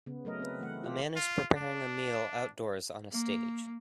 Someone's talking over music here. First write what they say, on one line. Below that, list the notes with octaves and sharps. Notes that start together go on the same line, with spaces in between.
A man is preparing a meal outdoors, on a stage.
C#3 B3
F#3 A3 A#4 D#5
C4 B4
E3 A3 F#5
F4 G4
F4
D4
A#3